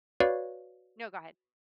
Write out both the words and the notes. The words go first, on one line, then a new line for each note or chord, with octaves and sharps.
No, go ahead.
F#4 B4 C#5 D5 F5